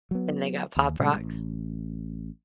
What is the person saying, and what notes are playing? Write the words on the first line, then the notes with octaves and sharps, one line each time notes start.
And they got Pop Rocks.
F#3 B3
D#2
A#2 C#3 G3 G#3
A1